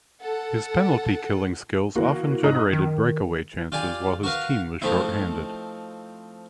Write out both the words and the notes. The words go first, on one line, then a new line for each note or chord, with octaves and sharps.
His penalty-killing skills often generated breakaway chances while his team was shorthanded.
A4 F#5
E3 A#3 F#4
G#2 D#4 D#5 A#5 D#6 F#6
D#3
F4 G4 D5 G#5
F#4 A#4 B4 F5
F3 A3 C4 D#4 E4